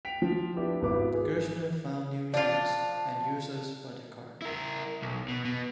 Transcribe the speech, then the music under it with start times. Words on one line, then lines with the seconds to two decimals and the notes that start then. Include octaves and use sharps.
Gerstner found new uses and users for the card.
0.05 G5 B6 D7 F7
0.22 F3
0.56 B3 D4 E4 G4
0.82 G#1 B3 E4 B4 D6
1.14 G#4
2.34 F3 D4 F4 D5 A5
4.42 E4 A#4
5.02 B1
5.28 B2
5.45 B2